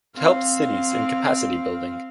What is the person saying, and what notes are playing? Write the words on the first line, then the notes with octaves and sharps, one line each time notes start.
It helps cities in capacity building.
C4 F5